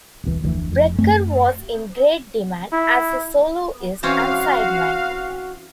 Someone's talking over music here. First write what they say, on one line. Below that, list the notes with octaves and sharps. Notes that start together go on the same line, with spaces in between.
Brecker was in great demand as a soloist and sideman.
D#1 C2 E3
F1 D2 C#3 E3
F1 F2
F#2 A3 C4
E4
E3 C4 C#4 F#4 F5